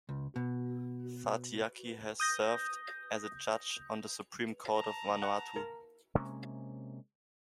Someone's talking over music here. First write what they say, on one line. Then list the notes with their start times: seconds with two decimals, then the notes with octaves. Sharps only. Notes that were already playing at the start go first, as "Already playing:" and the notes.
Fatiaki has served as a judge on the Supreme Court of Vanuatu.
0.09 C#2
0.36 B2
2.20 D#6 G6 A#6
4.75 A5 A#5
5.22 F#5
5.56 A#4
6.15 C3 G#3 A#3 C#4